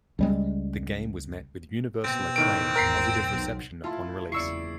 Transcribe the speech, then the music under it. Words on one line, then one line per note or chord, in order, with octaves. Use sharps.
The game was met with universal acclaim to positive reception upon release.
C#2 G3 G#3
B2 C4
A2 D#3 D7
G#1 E2 A#4 B6 C7
B1
A3 E4 F4 E5 A5 C6
F#1 E2 E4 D5 C#6 E6 C7 C#7